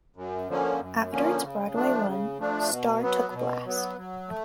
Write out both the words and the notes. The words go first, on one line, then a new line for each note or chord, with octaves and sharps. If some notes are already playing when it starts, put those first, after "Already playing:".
After its Broadway run, Star took Blast!
F#2
D3 F3 A#3 C#4
F#2
D3 F3 A#3 C#4
C#3
F3 A3 D4
C#3
F3 A3 D4
B2
F#3 B3
B2
F#3 B3
F#3
A3